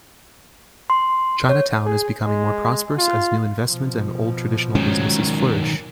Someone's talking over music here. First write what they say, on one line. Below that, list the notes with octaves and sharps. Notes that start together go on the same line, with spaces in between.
Chinatown is becoming more prosperous as new investment and old traditional businesses flourish.
C6
C#5
G#4
G#3
F4
B2 F3
D#3 F#3 G#3 C#4